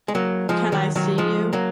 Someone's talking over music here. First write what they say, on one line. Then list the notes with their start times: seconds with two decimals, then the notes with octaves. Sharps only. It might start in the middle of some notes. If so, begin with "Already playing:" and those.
Can I see you?
0.08 G#3
0.15 F#3 A#3
0.49 F3 G#3
0.72 D#3 F#3
0.96 D#3 F#3
1.18 F3 G#3
1.53 F#3 A#3